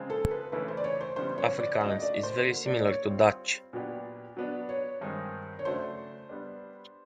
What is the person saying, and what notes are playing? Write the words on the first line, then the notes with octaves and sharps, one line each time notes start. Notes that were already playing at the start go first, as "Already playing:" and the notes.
Afrikaans is very similar to Dutch.
Already playing: C#3 F3 G#3 C4 F4
A4
B4
C#3 E3 A3 C#4 E4 B4
C5
D5
C#5
C5
F#2 C#3 E3 G3 B3 C5
C#5
D5
C#3 F3 A3 D4 F#4 D#5
D5
C5
D3 F#3 A#3
D5
C#5
G3 C4 F4
A#2 F#3 B3 D4 G4
F#3 B3 D4
C#5
G2 D#3 G#3 C4 D#4
C#5
C#3 F#3 A3 D4 C5
G3 B3 D4